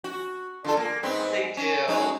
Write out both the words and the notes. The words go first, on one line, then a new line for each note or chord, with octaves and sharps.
they do.
F#4
D3 F4 A4
A#3
G#2 B3 C4
C#4
G#3 D#4 F#4